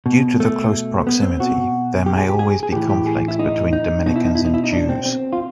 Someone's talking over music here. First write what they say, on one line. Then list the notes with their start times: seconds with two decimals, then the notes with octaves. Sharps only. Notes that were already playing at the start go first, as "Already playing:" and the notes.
Due to the close proximity, there may always be conflicts between Dominicans and Jews.
0.06 B2
0.40 A3
1.07 B3
1.23 C4
1.39 B2 F#4
2.06 G4
2.17 G#4
2.29 G4
2.39 G#4
2.63 G#4
2.73 A2 E3 G4
2.89 G4
3.06 G#4
3.28 E4
3.39 D#4
3.73 D#4
4.06 B2 D#4
4.16 E4
4.25 D#4
4.35 E4
4.45 D#4
4.54 E4
4.64 D#4
4.73 D4
4.89 C4
5.06 C4
5.33 F4